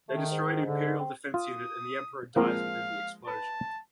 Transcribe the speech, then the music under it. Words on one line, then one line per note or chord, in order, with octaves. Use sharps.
They destroy an imperial defense unit and the Emperor dies within the explosion.
D#3 A3
G#2
D3
C4
F4 D#6
F3 G#3 A#3 C4 A#4 F5
B4 A5